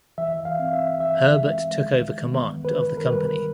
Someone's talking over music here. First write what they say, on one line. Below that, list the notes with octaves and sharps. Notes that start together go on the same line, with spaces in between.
Herbert took over command of the company.
E3 E5
F5
C4
E5
E3 E5
G#3
D#3
B3
D#3 B4
A#4
G3 B4